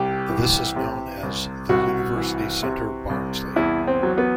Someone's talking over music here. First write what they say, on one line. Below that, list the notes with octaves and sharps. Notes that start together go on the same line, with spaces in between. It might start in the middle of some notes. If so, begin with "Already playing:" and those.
This is known as the University Centre Barnsley.
Already playing: C2 G4
E3
C3
C2
C2 F#4
E3
C3
C2
E2 E4
C4
F#3
B3